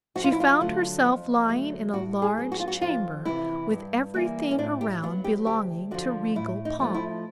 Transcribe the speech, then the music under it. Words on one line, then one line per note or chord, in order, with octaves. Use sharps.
She found herself lying in a large chamber, with everything around belonging to regal pomp.
F2 F#4
F4
E4
F4
D3 F#3 A3
F2
D3 F#3 A3
A2 F#4
G#4
F#3 B3
F#4
F4
F#4
F2 F4
C3 E3 E4
G2
E3 G3 A#3
C#4
A2 D4
G4
F#3 B3 F4
G4
D2 G4
D3 F3 F#4
A2 E4
D#4
F3 A3
E4